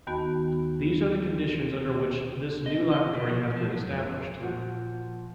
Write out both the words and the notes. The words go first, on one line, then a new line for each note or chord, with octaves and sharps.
These are the conditions under which this new laboratory has been established.
D#2 D#3 B3 F#4 A5
D#5
D#5
B2
F3
F3
F#3
F2
A#2 F3 F#4